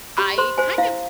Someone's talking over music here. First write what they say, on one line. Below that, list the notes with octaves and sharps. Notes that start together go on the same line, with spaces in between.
I kind of
G4 B5
C5 C6
C5 G#5
E4 F5